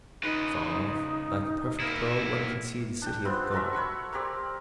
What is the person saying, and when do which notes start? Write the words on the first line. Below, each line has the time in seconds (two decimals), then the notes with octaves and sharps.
Far off, like a perfect pearl, one can see the city of God.
0.23 C#3 D#4 B4
1.80 A#3 E4
3.02 D4 G5
3.25 B3 C4 F4 E5
3.52 F#4 A4 A#4 E5
3.73 C#5 F#5 B5 C#6
4.13 A#3 C4 G4 D5